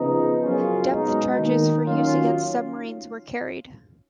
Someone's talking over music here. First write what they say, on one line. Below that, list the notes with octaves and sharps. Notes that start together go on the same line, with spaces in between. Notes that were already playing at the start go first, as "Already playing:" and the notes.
Depth charges for use against submarines were carried.
Already playing: C#3 F3 B3 D#4
F#2 C#3 F#3 C#4 F4
B2 G#3 D#4
D#3 A#3 D#4
D#3 F#3 C#4 F4